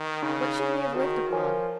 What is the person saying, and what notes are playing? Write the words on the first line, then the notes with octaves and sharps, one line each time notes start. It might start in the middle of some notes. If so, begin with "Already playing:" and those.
What should we have lived upon?
Already playing: D#3
C#3 D#4
G#4 C#5 G#5
D#3 F#4
F3 A#4 C#5 G#5